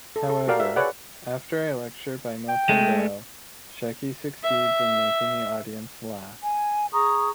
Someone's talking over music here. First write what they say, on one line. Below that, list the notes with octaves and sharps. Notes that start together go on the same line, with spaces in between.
However, after a lecture by Milton Berle, Shecky succeeds in making the audience laugh.
A4
A4
F#4 G4 A#4 D5 F5
E5
G#4 B4 C#5 D5 F#5
G5
G#3 A3
E5
G#5
G#4 A#5 C#6 D#6